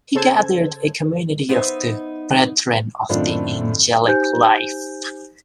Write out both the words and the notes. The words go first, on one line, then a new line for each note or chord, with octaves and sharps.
He gathered a community of the "Brethren of the Angelic Life".
C#3 A4 C5 A5 G#6
B3 D#4 C5 D#5 E5
F#2 A2 D#3 C4 D4 F4
D#4 G4 C5 G#5 G6